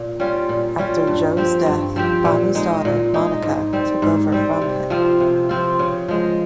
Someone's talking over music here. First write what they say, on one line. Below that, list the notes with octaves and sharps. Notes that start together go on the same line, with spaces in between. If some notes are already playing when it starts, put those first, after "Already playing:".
After Joe's death, Bonnie's daughter, Monica, took over from him.
Already playing: A#2
G3 C#4 F4
A#2
G3 C#4 F4
G2
F3 C4 G4
G2
F3 C4 G4
A#2
G#3 D#4
A#2
G#3 D#4
G#2
G3 C4
G#2
G3 C4
C3
F3 C4 F4
C3
F3 C4 F4
C#3
F3 G#3